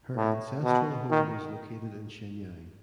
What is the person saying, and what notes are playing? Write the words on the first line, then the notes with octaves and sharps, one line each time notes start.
Her ancestral home was located in Shenyang.
A2
B2
D#3